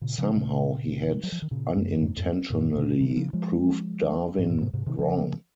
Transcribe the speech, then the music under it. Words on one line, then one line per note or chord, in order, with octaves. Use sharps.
Somehow he had unintentionally proved Darwin wrong.
A#2 C#3
C#3 F3
A#2 C#3
G#3
F#3
F3
D#3
A#2 C#3
F#2
F2 G#2
F2 G#2
F#2 A#2
A#2 C#3
C3 D#3
D#3
C#3 F3
F3 G#3
G#2
F#2 A#2
G#2 C3
G#2 C3
C3 D#3
C#3 F3